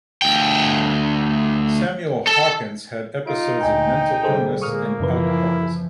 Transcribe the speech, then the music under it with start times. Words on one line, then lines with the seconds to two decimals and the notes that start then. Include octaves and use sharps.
Samuel Hawkins had episodes of mental illness and alcoholism.
0.22 D2 G5
2.27 A4 A5
3.27 D#4 F4 D7
3.61 D2 A#2 D#5 G5 G#5 A#5
4.23 D3 G3 G#4 A4 C5
4.62 A#2 D3 G#3 A#3 C#6 D#6 F6
5.00 F#2 C#3 E3 F3 E4 B4